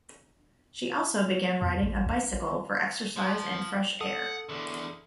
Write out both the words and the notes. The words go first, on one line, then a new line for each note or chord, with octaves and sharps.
She also began riding a bicycle for exercise and fresh air.
E2
A1
A#1
F3
A4 F#5 D#6
E2 D3